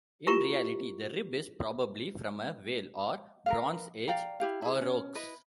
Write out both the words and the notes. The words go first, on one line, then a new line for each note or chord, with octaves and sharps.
In reality, the rib is probably from a whale or Bronze Age aurochs.
E4 F4 G4 A#4 A#5 C#6
A#4 B4 F5
D5 F5 G5 A#5
E4 G4 F5
E4 G#4
C#4
E4 B4 D#5